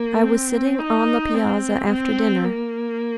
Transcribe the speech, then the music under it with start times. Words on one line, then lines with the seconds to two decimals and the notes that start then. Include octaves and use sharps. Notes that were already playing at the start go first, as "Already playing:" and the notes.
I was sitting on the piazza after dinner.
Already playing: A#3
0.24 C4
0.79 D#4
1.34 C4
1.89 C4
2.44 A#3